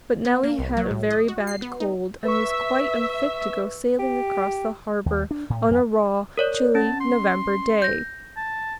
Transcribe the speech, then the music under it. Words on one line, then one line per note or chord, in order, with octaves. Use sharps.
But Nellie had a very bad cold and was quite unfit to go sailing across the harbour on a raw, chilly November day.
B3
A#3
C2
F#3
A2
D#5
F#4
C7
B3
D#4
B4 E5 C#6
G4
D#2
D4
A2
F2
A#4 C#5 D5
C#4 A5
C6
G6 A#6
A5